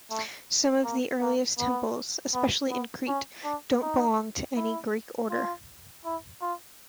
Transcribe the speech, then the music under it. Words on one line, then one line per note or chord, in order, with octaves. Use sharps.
Some of the earliest temples, especially in Crete, don't belong to any Greek order.
A3
A#3
A#3
B3
B3
B3
C#4
D4
D#4
E4
F4
E4
F4